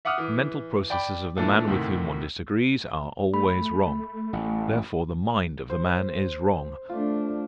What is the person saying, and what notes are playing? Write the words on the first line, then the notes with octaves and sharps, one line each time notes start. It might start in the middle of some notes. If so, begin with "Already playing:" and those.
The mental processes of the man with whom one disagrees, are always wrong. Therefore the mind of the man is wrong.
E5 F#5 D6 D#6 F6
E3
D5 G5 B5 D6
A#2 E3 A3 D4 A4
D2 A2 C3 D#3
A3 B5
A1
C5
A3 D4 F4